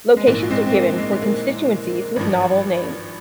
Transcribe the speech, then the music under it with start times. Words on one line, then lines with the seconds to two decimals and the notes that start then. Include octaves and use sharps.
Locations are given for constituencies with novel names.
0.17 G#3
0.27 A#1 G#2 E3 A#3
0.50 G#3 C4
0.67 C4
0.75 A#3
0.98 G#3
1.12 G#3
1.22 A#3
2.16 G#1 G2 F3